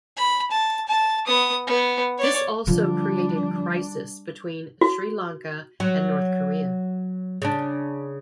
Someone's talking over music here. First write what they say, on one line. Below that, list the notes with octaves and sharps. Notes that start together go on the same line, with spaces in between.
This also created crisis between Sri Lanka and North Korea.
B5
A5
A5
B3 D#6
B3
C#5 D5
D3 F3 G3 D4
F#4
F#3
C#3 D4